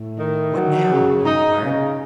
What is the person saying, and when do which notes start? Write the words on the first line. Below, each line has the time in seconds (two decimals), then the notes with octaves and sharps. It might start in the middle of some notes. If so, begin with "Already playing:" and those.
"What now?" he inquired.
Already playing: A2
0.19 D#3
0.55 F#3
0.90 C#3
1.26 D#4
1.62 C#3